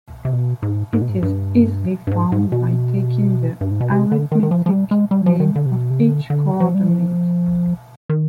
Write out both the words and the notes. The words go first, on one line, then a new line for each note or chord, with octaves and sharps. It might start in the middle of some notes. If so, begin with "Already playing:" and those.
It is easily found by taking the arithmetic mean of each coordinate.
C3
B2
G#2
G#2
B2
G#2
G2
G2
G#2
G#2
B2
G2
G#2
B2
C3
D3
D#3
D#3
F3
F3
G3
G#3
G3
F3
D#3
D3
C3
B2
C3
D3
D3
F3
G3
F3
D#3